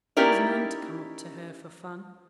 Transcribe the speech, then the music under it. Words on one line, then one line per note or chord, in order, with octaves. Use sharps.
There was none to come up to her for fun.
C#4 D#4 E4 G4 A#4 D5